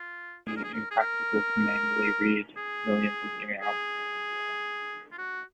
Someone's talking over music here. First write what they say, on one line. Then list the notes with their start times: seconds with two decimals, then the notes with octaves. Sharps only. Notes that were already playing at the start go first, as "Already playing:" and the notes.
It would be impractical to manually read millions of emails.
Already playing: F4
0.47 G#4
0.57 A#4
0.64 G#4
0.74 A#4
0.91 G#4
1.00 A#4
2.57 G#4
3.62 G#4
5.12 F4
5.18 F#4